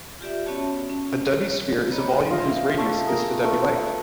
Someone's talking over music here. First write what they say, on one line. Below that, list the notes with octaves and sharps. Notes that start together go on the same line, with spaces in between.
A Debye sphere is a volume whose radius is the Debye length.
F4 G4 D5 E5
B3 C#4 F#4 C#5 A5
C#4
C#5
C#5 D#5 A#5 B5
F4 D#5 E5
A3 D6
G#4 A#4
A3 B4